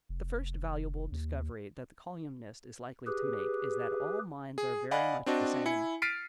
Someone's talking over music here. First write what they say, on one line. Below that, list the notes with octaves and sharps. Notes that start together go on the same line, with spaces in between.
The first valuable discovery that the colyumist is likely to make is that all minds are very much the same.
F1
D#2
G4 G#4 B4
G#4
D5 D#5 F5 F#5 G#5 B5
C4 D4 F#4 D#5 A5
E4 G#5 C#7
F6 A6 B6 C7 D7 D#7